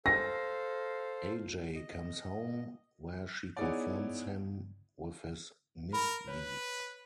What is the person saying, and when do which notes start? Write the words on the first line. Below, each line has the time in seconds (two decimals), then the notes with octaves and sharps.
Ajay comes home, where she confronts him with his misdeeds.
0.06 A4 C5 F5 A#6
1.75 D#5
3.57 B3 D#4 E4 G#4 C#5 D5
5.93 A#4 B5
6.28 B4 C#5